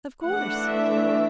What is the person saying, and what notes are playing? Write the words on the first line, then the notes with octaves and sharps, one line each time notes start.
"Of course."
E3 A3 D4 F#5
E5